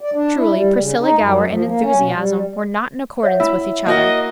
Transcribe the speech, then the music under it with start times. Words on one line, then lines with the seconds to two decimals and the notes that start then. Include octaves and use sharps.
Truly, Priscilla Gower and enthusiasm were not in accordance with each other.
0.01 D5
0.14 D4
0.36 E4
0.52 G3
0.78 C#3
1.02 D#4
1.18 F#2
1.49 F3
1.65 A#3
1.82 C#4
1.99 B2
2.14 G3
3.23 C#5 E5 F#5
3.40 E4
3.86 A#3 F#4 D#5 A#6